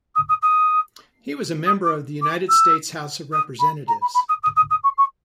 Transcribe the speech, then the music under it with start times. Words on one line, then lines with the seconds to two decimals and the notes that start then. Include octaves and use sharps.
He was a member of the United States House of Representatives.
0.15 D#6
0.28 D#6
0.42 D#6
1.65 D#6
1.84 D6
2.21 D6
2.49 E6
3.32 D#6
3.59 B5
3.88 A#5
4.01 B5
4.14 B5
4.28 D#6
4.42 D#6
4.56 D#6
4.70 D#6
4.83 C#6
4.97 C#6